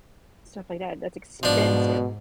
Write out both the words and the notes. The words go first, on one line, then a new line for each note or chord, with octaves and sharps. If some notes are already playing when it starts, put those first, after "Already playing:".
stuff like that, that's expensive.
G#2 B2 F3 D4